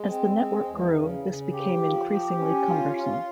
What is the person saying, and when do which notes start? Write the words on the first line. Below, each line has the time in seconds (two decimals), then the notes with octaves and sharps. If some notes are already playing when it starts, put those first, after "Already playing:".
As the network grew, this became increasingly cumbersome.
Already playing: G#3
0.10 C4
0.38 G#3
0.67 E2
0.95 C#3
1.24 C#3
1.52 G4
1.81 F3
2.11 G4
2.39 C#4
2.67 F4
2.96 F4